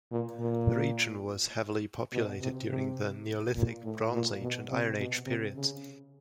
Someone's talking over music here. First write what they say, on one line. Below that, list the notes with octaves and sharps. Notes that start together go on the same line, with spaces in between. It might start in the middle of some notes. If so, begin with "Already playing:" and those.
The region was heavily populated during the Neolithic, Bronze Age and Iron Age periods.
A#2
A#2
B2
C3
C3
A#2
A2
A#2
B2
C3
B2
C3
C#3